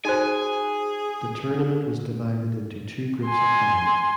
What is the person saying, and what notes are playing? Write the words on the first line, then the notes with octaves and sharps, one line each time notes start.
The tournament was divided into two groups of five.
D#4 F#4 G#4 C5 G#5
G#5 C6